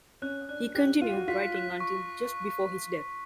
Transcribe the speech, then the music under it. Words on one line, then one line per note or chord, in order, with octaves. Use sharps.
He continued writing until just before his death.
C#4 F#6
D4 F#6
G4 F#6
F4 D#7
G4
F#4
F4 B6
F#6
C#6